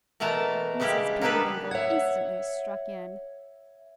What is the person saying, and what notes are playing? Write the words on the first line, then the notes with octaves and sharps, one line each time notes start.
Mrs. Peerybingle instantly struck in.
B2 E3 A3 A#4 A5
C#3 G3 G#3 E4 G4
A#3 B3 D4 G4 A4 B4
C#5 E5 F#5 G#6